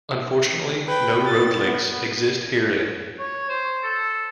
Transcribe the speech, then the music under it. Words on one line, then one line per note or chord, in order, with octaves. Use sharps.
Unfortunately, no road links exist herein.
B4 G5
A6
B3
C#5
C5
A4